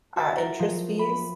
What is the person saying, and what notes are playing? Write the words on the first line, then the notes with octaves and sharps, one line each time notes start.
uh, interest fees,
F#4 E5 A6
A#4
F3
B5